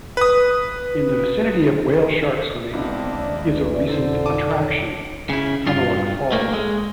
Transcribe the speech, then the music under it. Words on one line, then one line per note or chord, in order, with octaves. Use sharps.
In the vicinity of whale shark swimming is a recent attraction: Tumalog Falls.
B4 D#6
C#2 B3 C4 D4 E4
A1 D#2 D5
E3
B1 F2 D3 D#4 A4 C5
A5 D6 D#7
C#5
C#3 E4
G2 F4
A3 A#3
G#3